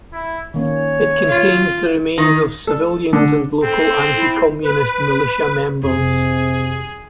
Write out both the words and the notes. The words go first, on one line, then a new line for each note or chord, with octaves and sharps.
It contains the remains of civilians and local anti-communist militia members.
E4
D#3 A#3 C#4 C#5
F4
D#3
A4
D3
C4 A4
E4
B4
F1 C3 G#4